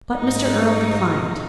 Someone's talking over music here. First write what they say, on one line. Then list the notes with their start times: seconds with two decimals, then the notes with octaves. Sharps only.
But Mr. Erle declined.
0.17 G#2 D#4